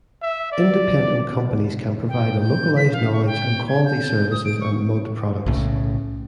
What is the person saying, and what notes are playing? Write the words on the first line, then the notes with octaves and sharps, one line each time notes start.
Independent companies can provide a localized knowledge, and quality services and mud products.
E5
D5
G5
G6
B6
F5
C#6
G5
G#6
G6
D#6
D7
C#6
B1 A2 C#3